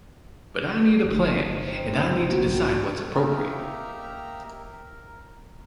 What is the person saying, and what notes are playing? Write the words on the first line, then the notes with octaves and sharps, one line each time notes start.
But I need a plan, and I need to decide what’s appropriate.
G1 G2 D#4
C4
B1 G#2 A#3 D4 F#4 G5
A#3 D#4 G4 E5 A#5 F6
A#4